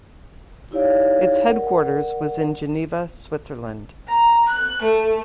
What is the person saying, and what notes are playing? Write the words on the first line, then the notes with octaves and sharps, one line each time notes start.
Its headquarters was in Geneva, Switzerland.
D#4 E4 G4 C#5 D5 F5
A#4 D5 F#5
A#5
F#6
A3